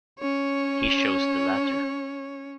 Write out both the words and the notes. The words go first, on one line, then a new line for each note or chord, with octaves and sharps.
He chose the latter.
C#4 C#5